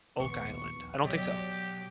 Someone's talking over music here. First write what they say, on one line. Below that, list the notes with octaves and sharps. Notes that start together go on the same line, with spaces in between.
Oak Island, I don't think so.
A#1 D#2 B3 C#6
B2 F#3 G4 D5 D#5